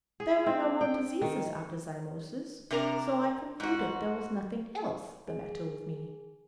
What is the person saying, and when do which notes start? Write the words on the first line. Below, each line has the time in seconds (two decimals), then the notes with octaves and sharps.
There were no more diseases after zymosis, so I concluded there was nothing else the matter with me.
0.20 G#4
0.46 C4
0.81 G5
1.21 D#3
2.71 C3 D4 A#4 A#5
3.60 G#2 F#4
5.28 G#4